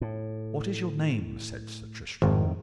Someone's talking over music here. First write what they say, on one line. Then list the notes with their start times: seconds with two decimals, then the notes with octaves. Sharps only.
What is your name? said Sir Tristram.
0.01 A2
2.22 G#1 F2 A2 D#3